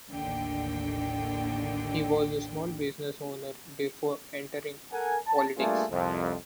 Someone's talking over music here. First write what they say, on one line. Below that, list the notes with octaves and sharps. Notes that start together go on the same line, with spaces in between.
He was a small business owner before entering politics.
A1 D#2 D3 G5
A4 A#4 F#5 G#5
A5
G3 A3 A#3 D4 F4 G#4
C2 F2